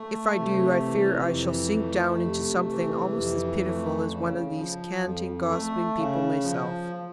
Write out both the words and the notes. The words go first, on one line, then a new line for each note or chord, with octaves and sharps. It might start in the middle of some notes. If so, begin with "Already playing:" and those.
If I do, I fear I shall sink down into something almost as pitiful as one of these canting, gossiping people myself.
Already playing: A3
C3
E3
F2
A3
C3
E3
F2
A3
C#3
F3
F2
A3
C#3
F3